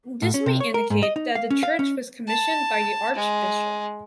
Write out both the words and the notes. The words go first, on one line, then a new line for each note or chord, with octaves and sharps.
This may indicate that the church was commissioned by the archbishop.
A2
C#4
C3
C#5
A#4
G#2
D#5
D#4
F5
C#4
F5
C#4
A5
G#3